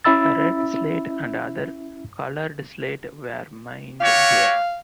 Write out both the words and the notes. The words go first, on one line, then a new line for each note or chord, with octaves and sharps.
Red slate and other colored slate were mined here.
C#4 E4 E5 B5 E6 A6
F#4 G4 C#5 F5